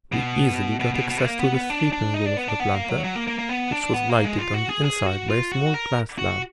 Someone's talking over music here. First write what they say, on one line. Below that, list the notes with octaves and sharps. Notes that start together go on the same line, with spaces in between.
We easily got access to the sleeping-room of the planter, which was lighted on the inside by a small glass lamp.
B2
B2
B2
B2
A#3
B3
B3
D4
D4
D#4
D4
B3
D4
B3
A#3
F#3
F#3
A#3
A#3
A#3
B3
D4
B3
A#3
G#3
F4
F#4
G#4
G#4
F#4
F4
F#4
A#4
F#4